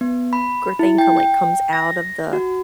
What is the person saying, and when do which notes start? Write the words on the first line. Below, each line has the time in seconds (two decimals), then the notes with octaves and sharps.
thing come, like, comes out of the
0.01 B3
0.33 B5
0.79 E4
0.98 G5
1.17 G5
1.73 A#6
2.33 F#4